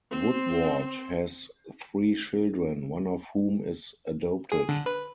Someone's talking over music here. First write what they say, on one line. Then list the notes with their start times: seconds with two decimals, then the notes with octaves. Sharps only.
Woodward has three children, one of whom is adopted.
0.11 C4 C5
4.52 G#4
4.69 D3
4.86 B4